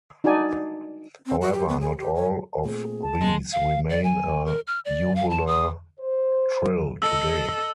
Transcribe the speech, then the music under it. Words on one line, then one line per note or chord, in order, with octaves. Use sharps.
However, not all of these remain a uvular trill today.
D4 D#4 F#4 D5 G#5
C4
F#4
G4
B3
G#4
G4
C#5
A#2 A3 C4 G#4
A5
D1 C3 D#3 G#3 A#3
F5
D5
G#5
A#4
F6
D5
F5
A5
D#6
C5
A4 D#5 E6